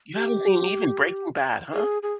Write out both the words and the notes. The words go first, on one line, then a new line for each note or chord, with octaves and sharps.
You haven't seen even Breaking Bad, huh?
G4
G#4
G#4